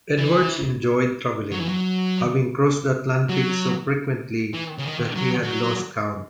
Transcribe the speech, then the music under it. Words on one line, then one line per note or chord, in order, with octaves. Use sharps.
Edwards enjoyed traveling, having crossed the Atlantic so frequently that he had lost count.
E3
F#3
E3
F#3
F#3
E3
C#3
D#3
F#3
F#3